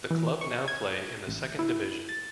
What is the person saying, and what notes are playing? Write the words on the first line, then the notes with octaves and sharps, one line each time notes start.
The club now play in the second division.
E3
C#6
G#6
A1
E4
A6